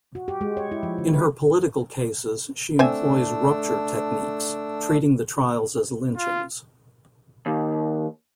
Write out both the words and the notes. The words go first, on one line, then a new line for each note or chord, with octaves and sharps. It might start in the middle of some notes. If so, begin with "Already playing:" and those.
In her political cases, she employs "rupture" techniques, treating the trials as lynchings.
F#4
G4
G#3
C#5
E4
F3
D3
B4
A3 C4 D4 E5 G#5 E6
F4
D#2